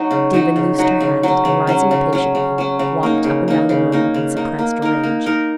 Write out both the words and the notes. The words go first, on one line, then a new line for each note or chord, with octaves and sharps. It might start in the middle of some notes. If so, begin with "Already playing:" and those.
Stephen loosed her hand, and rising impatiently, walked up and down the room in suppressed rage.
Already playing: F#3 D#4 F#4
C#3
F#3 D#4 F#4
C#3
F#3 D#4 F#4
C#3
F#3 C#4
C#3
F#3 C#4
C#3
F#3 C#4
C#3
F#3 C#4
C#3
A#3 D#4
C#3
A#3 D#4
C#3
A#3 D#4
C#3
A#3 D#4
A#3
D#4 A#4
A#3
D#4 A#4